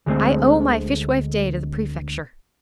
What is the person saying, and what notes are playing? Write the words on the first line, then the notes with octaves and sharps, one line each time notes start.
"I owe my fishwife day to the prefecture."
D2 D3 G#3 A3 C4 C5